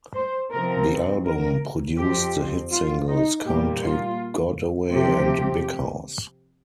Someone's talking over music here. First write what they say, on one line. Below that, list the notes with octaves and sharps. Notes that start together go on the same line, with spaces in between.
The album produced the hit singles "Can't Take God Away" and "Big House".
C5
C3 F3 C4 A#4
A#4
F2 F3 C4 G4
F4
D#4
A#2 G3 A#3 G4
F4
C3 F3 C4 G4